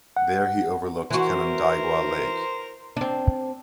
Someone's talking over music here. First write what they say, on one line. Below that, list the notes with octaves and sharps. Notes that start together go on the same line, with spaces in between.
There he overlooked Canandaigua Lake.
F#5
E3 F#4 A#4 C5
C4 D4